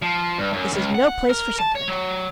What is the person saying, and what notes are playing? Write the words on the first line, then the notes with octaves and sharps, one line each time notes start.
This is no place for sentiment.
F3
G2
F#2
C#2
F#5
A#4
A5
C#5
F#3